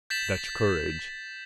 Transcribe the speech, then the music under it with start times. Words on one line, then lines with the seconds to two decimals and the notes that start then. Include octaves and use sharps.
Dutch courage.
0.10 G6 A6 B6 E7 F#7